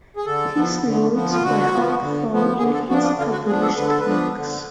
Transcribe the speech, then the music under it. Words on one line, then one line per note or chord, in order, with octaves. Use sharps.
His notes were helpful in his published works.
G#4
D3 A4
F3 B3
D3
F3 B3
F4
D3 F#4
F3 B3
D3
F3 B3
D3 G#4
A4
F3 B3 D4 F#4
F4
D3 F4
F#4
F3 B3 D4 G#4
A4
D3 B4
A4
B4
F3 B3 D4
D3